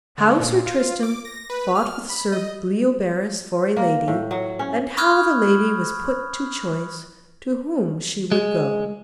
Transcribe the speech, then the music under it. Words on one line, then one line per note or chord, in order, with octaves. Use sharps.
How Sir Tristram fought with Sir Bleoberis for a lady, and how the lady was put to choice to whom she would go.
D3
A#2
F4
D6
A#6
B4
F6
B5
D#5
A#3
A2
F#3
C#4
B5 C#6 D#6 F6 F#6 G#6
G#3